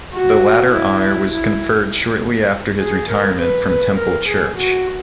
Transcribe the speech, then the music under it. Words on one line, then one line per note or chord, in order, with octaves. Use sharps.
The latter honour was conferred shortly after his retirement from Temple Church.
F#4
E4
E4
G#4
A#4
B4
B4
A#4
G#4
F#4